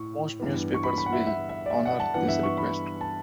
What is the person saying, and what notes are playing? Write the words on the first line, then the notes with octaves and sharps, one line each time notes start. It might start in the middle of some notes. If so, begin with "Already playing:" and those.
Most newspapers will honor this request.
Already playing: A2 C#6
G2 E3 B3
C#6
B5
B5
F#5
E5
E5
E5
D5
E5
F#5
A5
G2 E3 B3 F#5
E5
C#6
B5
A5